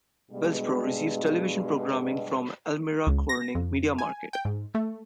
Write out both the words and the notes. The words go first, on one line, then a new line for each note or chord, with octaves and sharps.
Wellsboro receives television programming from the Elmira-Corning media market.
G2 B2 G#3
C#2
A#6
F2
G#5
G5
G#2
A3